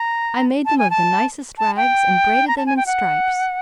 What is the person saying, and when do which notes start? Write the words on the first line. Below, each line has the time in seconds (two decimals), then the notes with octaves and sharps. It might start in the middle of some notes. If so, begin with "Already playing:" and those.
I made them of the nicest rags, and braided them in stripes.
Already playing: A#5
0.66 A5
0.78 G#5
0.90 A5
1.58 A5
1.77 G5
2.48 A#5
2.57 A5
2.66 G#5
2.77 G5
2.86 F#5